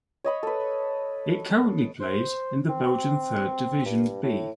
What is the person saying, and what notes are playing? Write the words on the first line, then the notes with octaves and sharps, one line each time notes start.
It currently plays in the Belgian Third Division B.
C#5 D#5 B5 C#6
A4 B4
C5
C4
G2
A2